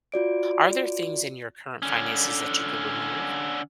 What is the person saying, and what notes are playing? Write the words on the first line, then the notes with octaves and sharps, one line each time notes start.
Are there things in your current finances that you could remove?
F4 F#4 D5 D7
D3 C#4